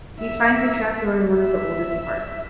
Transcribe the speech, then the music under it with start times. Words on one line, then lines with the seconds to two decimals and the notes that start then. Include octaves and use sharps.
He finds a trapdoor in one of the oldest parts.
0.19 E5
1.34 E5